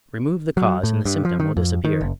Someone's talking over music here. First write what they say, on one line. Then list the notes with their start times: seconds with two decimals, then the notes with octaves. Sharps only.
Remove the cause and the symptom will disappear.
0.57 F#3
0.83 A2
1.05 G2
1.25 F3
1.40 D#3
1.57 F2
1.84 D#3
2.01 F#1